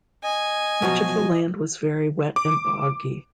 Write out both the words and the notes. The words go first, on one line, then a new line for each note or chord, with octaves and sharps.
Much of the land was very wet and boggy.
D#5 G#5
B2 F3 F#3
D6